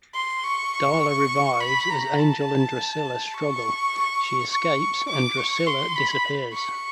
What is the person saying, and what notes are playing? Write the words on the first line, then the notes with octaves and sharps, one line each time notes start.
Darla revives as Angel and Drusilla struggle; she escapes and Drusilla disappears.
C6
C#6
B5
A#5
A5
C#6
C#6
D6
C#6
C6
B5
C#6